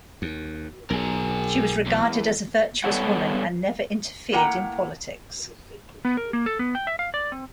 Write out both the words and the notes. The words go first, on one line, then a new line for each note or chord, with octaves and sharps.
She was regarded as a virtuous woman and never interfered in politics.
D#2
B1 G#4 A#4
E2
G3 B3 A4 C#5 F#5
A2 A#3 A#4 F#5 G5
B3
A#4
A#3
A4
B3
G5
E5
F5
D5
C4